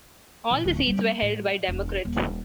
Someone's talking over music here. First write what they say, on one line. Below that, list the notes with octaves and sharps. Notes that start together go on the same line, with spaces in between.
All the seats were held by Democrats.
A#2 E3
D1 D3
G3 C4
A2
E1 D4
D#1